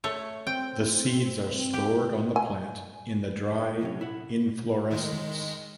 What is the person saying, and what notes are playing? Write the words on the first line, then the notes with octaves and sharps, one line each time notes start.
The seeds are stored on the plant in the dry inflorescence.
A3 C#5
C4 G5
G4
G#5
C3 F#3 C#4
E4 F#5
D#3 G#3